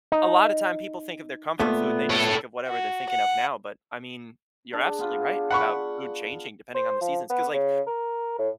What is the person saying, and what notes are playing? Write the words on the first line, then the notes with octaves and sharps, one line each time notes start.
a lotta time people think of their comfort food and they just think of whatever they're thinking of now. But, I mean, you're absolutely right about food changing depending on the seasons. 'Cause, like,
D#4
A#2 A3 B3
A4 C#5
F#4
F#5
D4 G#4
B3 F4
F#5 B5 C#6
C5
F3
B3
C#3
A#4
A2